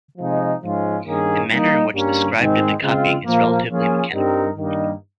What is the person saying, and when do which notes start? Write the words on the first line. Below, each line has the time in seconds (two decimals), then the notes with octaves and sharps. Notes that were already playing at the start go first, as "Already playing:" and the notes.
The manner in which the scribe did the copying is relatively mechanical.
0.18 C3 F3 G#3 D#4
0.62 G#2 F3 G#3 C#4 F4
1.06 G2 D#3 A#3 C#4 G#4
1.50 G3 A#3 D#4
1.93 G2 G3 A#3 C#4
2.37 G#2 D#3 G#3 C4
2.81 C#3 G#3 C4 F4
3.24 A#2 F3 A#3
3.69 F3 A#3 C#4 F4 G#4
4.12 G2 G3 C4 D#4 A#4
4.56 G2 D#3 G3 A#3 D#4